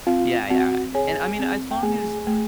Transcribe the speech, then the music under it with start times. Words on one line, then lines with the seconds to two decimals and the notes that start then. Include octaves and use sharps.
Yeah, yeah. And, I mean, as long as
0.07 C4 F4 F5
0.50 C4 F#4 F#5
0.94 G#4 C#5 G#5
1.39 C4
1.71 G5
1.83 A3 G#4 G#5
2.27 A3